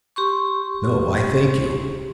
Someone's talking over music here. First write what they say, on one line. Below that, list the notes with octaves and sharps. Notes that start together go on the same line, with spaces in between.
"No, I thank you."
G4 C6 C#6